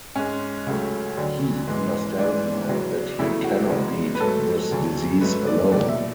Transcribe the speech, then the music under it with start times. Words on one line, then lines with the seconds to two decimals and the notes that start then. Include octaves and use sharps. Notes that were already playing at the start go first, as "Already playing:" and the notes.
He understands now that he cannot beat this disease alone.
0.15 G#2 G#3 C#4
0.66 C#2 C#3 F#3 A3
1.17 D2 D3 F#3
1.67 G#2 E3 G#3
2.18 G#2 E3 G#3 D4
2.69 E2 C#3 F#3
3.19 E2 C#3 F#3 A3 E4
3.44 F#4
3.70 E2 C#3 G#3
4.15 B4
4.20 G#2 F#3 A3 A4
4.71 D2 C#3 F#3
5.21 G#2 F#3 A3 B4
5.47 D5
5.72 E2 B2 F#3 D5
5.89 E5